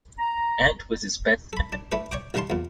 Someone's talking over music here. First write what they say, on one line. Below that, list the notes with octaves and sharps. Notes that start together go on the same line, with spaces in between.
Ant was his best man.
A#5
A4 B5
D4
A3 D4 E4 B4
C#5 D5 G5 D6
A1 D#3 G3 F5 A5 C6
E2 A#2